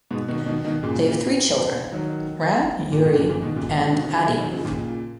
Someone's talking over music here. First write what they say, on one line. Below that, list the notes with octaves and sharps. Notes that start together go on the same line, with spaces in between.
They have three children, Ran, Uri and Adi.
G#2 B2
B2 D#3
B2 D#3
B2 D#3
A#2 C#3
D#3 F#3
A#2
G#2 B2
A#2 C#3
A#2 C#3
B2 D#3
A#2 C#3
G#2 B2
B2 D#3
D#3
C#3 F3
F3 G#3
D#3 F#3
C#3 F3
D#3
A#2 C#3